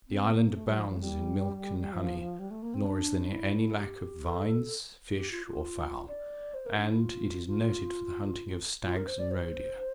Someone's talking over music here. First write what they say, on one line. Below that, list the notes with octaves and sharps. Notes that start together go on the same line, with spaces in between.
The island abounds in milk and honey, nor is there any lack of vines, fish, or fowl; and it is noted for the hunting of stags and roe-deer.
C4
A#3
A3
G3
F3
F3
A3
G3
F3
G3
A3
A#3
C4
D4
E4
G4
A4
G4
F4
F4
D5
C5
A#4
D4
E4
F4
F4
F4
A#4
C5
D5
C5